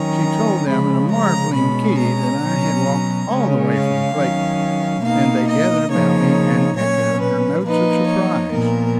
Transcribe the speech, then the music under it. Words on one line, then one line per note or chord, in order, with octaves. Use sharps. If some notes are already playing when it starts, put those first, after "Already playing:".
She told them in a marveling key that I had walked all the way from Clayton, and they gathered about me and echoed her notes of surprise.
Already playing: D#3 F#3 C#4 A#5
C#3 F3 G#3 B5
A#5
B2 G#3 C#4 B5
A#5
B2 F#3 C#4
C#3 G#3 C#4
F5
D#3 F#3 C#4
B2 A#3 D#4 F5
D#5
C#3 F3 A#3 D#4 C#5
A#2 F#3 C#4 C#5
B4
F3 A#3 D#4 B4
C#5
A#2 F3 B3 A#4